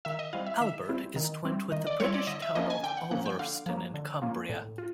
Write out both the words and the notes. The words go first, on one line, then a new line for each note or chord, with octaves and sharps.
Albert is twinned with the British town of Ulverston in Cumbria.
D#3 E5
D#5
G3 C4 E4 F5
E5
D#3 E5
G3 C4 E4
D#3
G3 C4 E4
D#3 D#5
D5
G3 C4 E4 C#5
D5
D3 D#5
E5
F3 A#3 C#4 D#5
G#5
D3 G5
F#5
F3 A#3 C#4 F#5
G5
D3 F5
F3 A#3 C#4
D3
F3 A#3 C#4
A2
F4